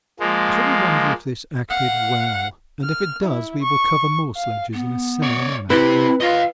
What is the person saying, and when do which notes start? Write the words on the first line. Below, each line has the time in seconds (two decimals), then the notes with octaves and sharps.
I shouldn't wonder if this acted well, and if it does we will cover more sledges in a similar manner.
0.20 F3 G#3 A#3
1.69 F5 F#5
2.83 F6
3.24 E4
3.62 C#6
4.36 F5
4.74 B3
5.22 C#5 D5
5.70 C4 E4 G4 B4
6.20 F4 D#5 F5